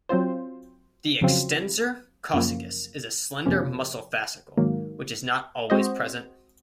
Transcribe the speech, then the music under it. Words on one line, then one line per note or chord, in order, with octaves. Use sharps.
The extensor coccygis is a slender muscle fascicle, which is not always present.
F#3 C4 F4 C5
F2 C#3 F#3 C4 F4
F#2 C#3 F3 A#3
F2 C3 F3 A#3 C#4
G#2 D#3 F#3 A#3
G#3 C4 F#4 C5 D#5